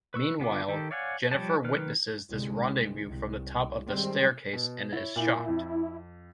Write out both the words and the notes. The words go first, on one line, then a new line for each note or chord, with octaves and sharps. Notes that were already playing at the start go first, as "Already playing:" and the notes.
Meanwhile, Jennifer witnesses this rendezvous from the top of the staircase and is shocked.
B4 C#6 E6
D3 B3 F4 D6
D#3 G4 A4
C#5 D5 F5 F#5 G#5
F3 G3 G4 C#5 A5
D#3 B4 F6
C2 D3 G#3
C2
D#3 G3 G#3 C4
B2
E4 C#5
A#2 E4
F2